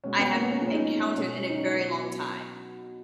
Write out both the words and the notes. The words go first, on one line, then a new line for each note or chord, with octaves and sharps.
I have encountered in a very long time,
B2 G#3 C#4
B3
A#3
B3
C#4
A#2 F3 G#3
C#4
D#4
B2 G#3 C#4
D#4
C#4
B2 F#3 B3